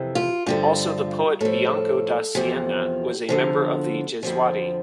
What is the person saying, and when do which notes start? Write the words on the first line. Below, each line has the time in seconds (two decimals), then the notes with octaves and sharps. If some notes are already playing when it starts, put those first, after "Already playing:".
Also the poet Bianco da Siena was a member of the Jesuati.
Already playing: F2 C3 E3
0.15 F4
0.46 G2 D3 F3 F4
1.41 A2 F3 A4
2.35 E2 C3 F3
3.29 E2 D3 F3
4.23 F2 D3 F3